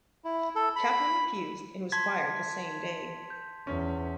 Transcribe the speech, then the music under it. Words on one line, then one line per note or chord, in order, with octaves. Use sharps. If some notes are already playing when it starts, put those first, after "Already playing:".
Kaplan refused, and was fired the same day.
E4
A4
B5
A5 C6 G#6 B6
G6
E2 C#4